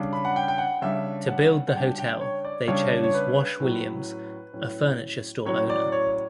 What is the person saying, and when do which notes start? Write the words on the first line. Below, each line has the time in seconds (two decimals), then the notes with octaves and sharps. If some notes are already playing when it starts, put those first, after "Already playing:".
To build the hotel, they chose Wash Williams, a furniture store owner.
Already playing: C#3 G3 D4
0.13 B5
0.25 F#5
0.36 G5
0.48 G5
0.58 F#5
0.82 C#3 G3 D4 E5
1.28 F#5
1.68 F#5
1.75 C#3 G3 D4 G5
1.98 G5
2.21 C#5
2.44 D5
2.68 C#3 G3 D4 C#5
3.04 C#5
3.14 B4
3.60 A2 F#3 C#4
4.53 A2 F#3 C#4
5.45 A2 F#3 C#4 C#5
5.70 D5
5.92 C#5